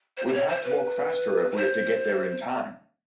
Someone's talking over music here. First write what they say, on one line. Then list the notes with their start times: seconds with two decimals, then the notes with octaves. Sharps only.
We'll have to walk faster if we are to get there in time.
0.17 C5
0.28 C5
0.33 C#5
0.48 C5
0.64 B4
1.52 B4
1.56 C5